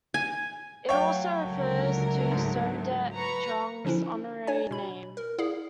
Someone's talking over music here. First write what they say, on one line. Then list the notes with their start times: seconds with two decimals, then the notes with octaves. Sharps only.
It also refers to Somdet Chuang's honorary name.
0.14 G#5
0.89 F#3 A3 C#5 F5 G5
1.45 C#2 D3 A#4
2.32 G#2
3.14 B4 A#5 C#6
3.85 D3 F3 C#4 D4 E4
4.47 D4 C#5 G#5
4.71 B2 B5
5.17 A#4
5.38 E4 G#4 D5 F5